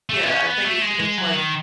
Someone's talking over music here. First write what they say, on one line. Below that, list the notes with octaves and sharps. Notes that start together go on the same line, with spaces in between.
Yeah, I think it's it's like,
A3
B3
C#4
B3
A3
G#3
G#3
F#3
D#3